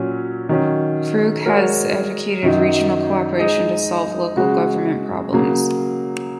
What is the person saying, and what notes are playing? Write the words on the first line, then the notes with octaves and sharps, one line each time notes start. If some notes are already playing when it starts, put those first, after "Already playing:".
Frug has advocated regional cooperation to solve local government problems.
Already playing: A#2 F#3 C#4 F#4
D#3 F#3 C#4
G#3 F#4 A#4 C#5
F#2 D#3 F#3 D#4
G#3 D#4 G#4 D#5
C#3 G#3 F#4
C#3 F#3 A#3